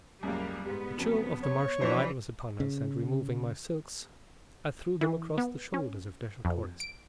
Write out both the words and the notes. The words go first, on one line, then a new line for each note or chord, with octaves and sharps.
The chill of the Martian night was upon us, and removing my silks I threw them across the shoulders of Dejah Thoris.
C#2 F#2 G3 A#3
G#2 G3 B3
F2 C#3 F#3
C#5
E3 F3 D4 F#4 C5
C#3
E3
B3
C#4
F2
D7